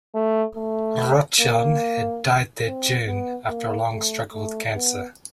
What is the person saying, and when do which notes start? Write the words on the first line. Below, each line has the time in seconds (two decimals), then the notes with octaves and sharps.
Rochon had died that June after a long struggle with cancer.
0.15 A3
0.56 A3
1.41 A#3
2.67 C4
3.08 B3
3.49 A#3
3.91 A3
4.33 A3
4.75 B3